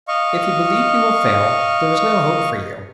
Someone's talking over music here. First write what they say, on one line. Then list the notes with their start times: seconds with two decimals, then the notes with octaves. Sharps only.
If you believe you will fail, there is no hope for you.
0.08 D#5 F5 C#6